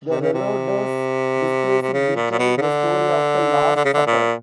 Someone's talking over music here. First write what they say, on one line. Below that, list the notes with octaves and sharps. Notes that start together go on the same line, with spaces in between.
The reredos displays in detail the story of the Last Supper.
C3
C#3
C3
C3
C#3
A#2
A#2
B2
C#3
D3
D3
C#3
D3
A#2